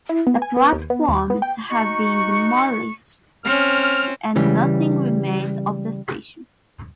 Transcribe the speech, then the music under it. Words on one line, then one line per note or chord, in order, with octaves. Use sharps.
The platforms have been demolished and nothing remains of the station.
E4
B3
G#5
B3
D#2
B3
D#2
B3
G5
D#4 F#4 C#6
C4 C#4 F6
C#3 E3 G3